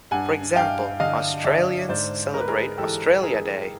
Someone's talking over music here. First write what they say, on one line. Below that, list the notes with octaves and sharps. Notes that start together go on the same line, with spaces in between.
For example, Australians celebrate Australia Day.
G2 F#5 G#5
G2 F5 G5
D3 D#5 F5
D3 D5 E5
G#2 C5 D5
G#2 A#4
B4
G#4 A#4
E3 G4 A4
E3 G#4 A#4